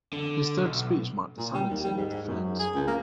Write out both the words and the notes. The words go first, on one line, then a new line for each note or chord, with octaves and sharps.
His third speech marked the silencing of the friends.
D3
B1
A#2
G3
D#2
G3
G#2
G#2
F#2
G#4
C#2
A#3